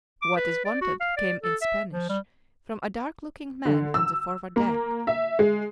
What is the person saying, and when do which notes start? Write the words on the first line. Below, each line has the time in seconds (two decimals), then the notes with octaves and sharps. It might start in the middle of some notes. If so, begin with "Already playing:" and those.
"What is wanted?" came in Spanish from a dark-looking man on the forward deck.
0.22 D6
0.37 B4
0.65 D5
0.81 F#4
1.00 F5
1.17 D5
1.43 A4
1.61 E5
1.92 F3
2.09 G3
3.65 D3
3.94 E6
4.56 A#3
5.07 E5
5.39 G#3